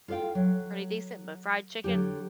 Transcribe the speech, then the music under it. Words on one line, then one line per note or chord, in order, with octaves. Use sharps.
pretty decent. But fried chicken,
F4 A4 C#5 F5 G5
F#3
D3 F#3 G4